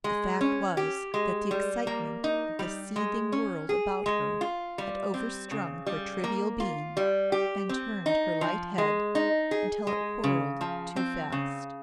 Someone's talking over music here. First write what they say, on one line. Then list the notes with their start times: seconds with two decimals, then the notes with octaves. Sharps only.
The fact was that the excitement of the seething world about her had overstrung her trivial being and turned her light head until it whirled too fast.
0.04 G#3
0.41 C#4
0.77 G4
1.14 G#3
1.51 G3
1.87 A#3
2.24 D#4
2.59 G3
2.96 G#3
3.32 C#4
3.69 G#4
4.06 G#3
4.41 F4
4.78 G3
5.14 C4
5.51 C#3
5.86 G3
6.24 A#3
6.60 F4
6.97 G3
7.32 G4
7.69 C4
8.06 D#4
8.41 F3
8.78 G#3
9.15 D#4
9.51 G#4
9.87 G#3
10.24 C#3
10.61 F3
10.96 C4
11.32 C#3